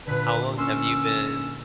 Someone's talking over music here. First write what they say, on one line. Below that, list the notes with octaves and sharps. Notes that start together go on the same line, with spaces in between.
How long have you been
A#2 D3 B4
C#4 C6 C#6 E6 F#6